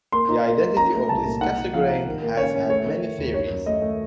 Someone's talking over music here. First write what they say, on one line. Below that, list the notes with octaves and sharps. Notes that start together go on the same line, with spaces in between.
The identity of this "Cassegrain" has had many theories.
A#3 C6
D#4
A#3
A#3
C#4 A#5
A3
C2 A5
A#2
D#4 F#5
D#4
F3 F5
D#4
D#3
A#3
C#4 C#5
C#4
A3 C#5
D#3
A3
D#2
D#3 C#5
F#2
A3 D#5
A3